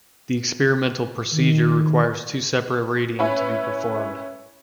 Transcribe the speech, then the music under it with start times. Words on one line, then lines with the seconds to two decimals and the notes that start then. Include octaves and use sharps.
The experimental procedure requires two separate reading to be performed.
1.31 D#3
3.19 C#4 E4 B4 C#5